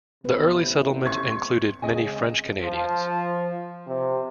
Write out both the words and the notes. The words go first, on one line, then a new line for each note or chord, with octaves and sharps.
The early settlement included many French-Canadians.
A1 C3 B3 B4
C6 C#6 G#6
C#3 G#3 C4 D#5 G#5
F3
C3